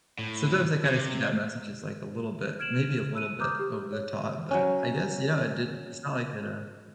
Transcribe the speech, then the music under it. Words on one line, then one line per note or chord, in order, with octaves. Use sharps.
Sometimes I kinda see that message as, like, a little bit, maybe a little bit over the top, but I guess, yeah, it did it's not like it, uh
A2
C3
F6 G#6 D7 E7 F#7
E6 F#6 D#7
A#5 D6 D#6 F6 G6
G4
C#5
F#3 C#4